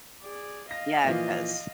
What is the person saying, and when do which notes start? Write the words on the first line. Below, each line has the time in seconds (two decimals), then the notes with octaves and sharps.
Yeah, it does.
0.23 G#4 D5
0.71 D#5 F5 A#6
1.04 A#2 E3 F3